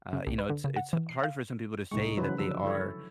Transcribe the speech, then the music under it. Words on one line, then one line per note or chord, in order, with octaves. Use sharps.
Uh, you know, it's it's hard for some people to say that they are
C#3
C2
B4
D3
C#3
F#5
E3
C7
F5
C2 A2 G#3 D#4 C#6
C#3 E3 F#3 B4 C5
D3 F3 F#3 E6
E4 A4 C#5